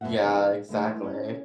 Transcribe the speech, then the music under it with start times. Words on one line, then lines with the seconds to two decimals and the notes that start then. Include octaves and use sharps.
Yeah, exactly.
0.01 F#2 B2 D#4 F#4 E5 F#5
0.23 C3 D#3 E3 C4
0.69 E3 G#3 A3 E4
1.03 C#4